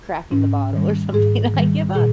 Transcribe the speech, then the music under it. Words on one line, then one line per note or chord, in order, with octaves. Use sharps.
cracking the bottle or something, "I give up!"
G#2 C#4
D#3 G3
G#2 G#4
D#3 G3
A#2 G#4